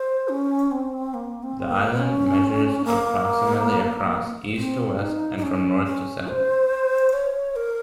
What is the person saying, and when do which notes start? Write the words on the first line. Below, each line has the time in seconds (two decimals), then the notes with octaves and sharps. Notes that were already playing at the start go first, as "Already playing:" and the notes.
The island measures approximately across, east to west, and from north to south.
Already playing: C5
0.29 C#4
0.71 C4
1.14 A#3
1.43 C4
1.71 A#3
2.00 C#4
2.85 A#3
4.56 C4
4.99 D#4
5.37 D#4
5.43 C#4
5.85 C#4
6.28 C5
7.13 C#5
7.56 A#4